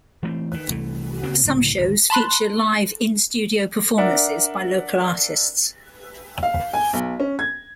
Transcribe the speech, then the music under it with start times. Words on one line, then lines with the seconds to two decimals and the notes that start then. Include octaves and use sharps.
Some shows feature live in-studio performances by local artists.
0.23 E3 A3 B3 C4
0.54 D#3
0.70 C2 E3 A3
1.23 D2 C#3 A#3 C4
1.45 C#2 A2 D3
1.78 G#1 D2
2.10 A5 B5 C6 F#6
3.98 D4 A#4 D5 E5 F#5
6.43 F5
6.73 G#5
6.93 B1
7.20 C#4
7.39 G#6